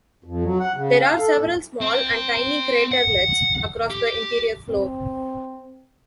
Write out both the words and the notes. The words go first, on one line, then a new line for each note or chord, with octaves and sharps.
There are several small and tiny craterlets across the interior floor.
F2
F#3
F#5
C#3
F5
A4
A2
C4
F#5
G4
C4